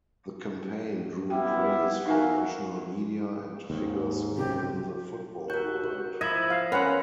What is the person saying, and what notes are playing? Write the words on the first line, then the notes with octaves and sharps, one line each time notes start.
The campaign drew praise from national media and figures within the football world.
G3 B3 E4 G5
D#4 F#4 A#4 E5 F5 G#5
D#2 G#2
C#2 F#2 C3 G4
F#4 A#4 G6
F3 E4 D#5 E5 B5 G#6
F5
C#4 A#4 B4 F5 F#5 C6